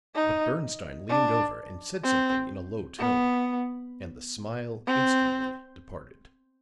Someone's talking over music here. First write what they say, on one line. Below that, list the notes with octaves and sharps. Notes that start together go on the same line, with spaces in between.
But Bernstine leaned over and said something in a low tone; and the smile instantly departed.
D#4
D4
C4
B3
C4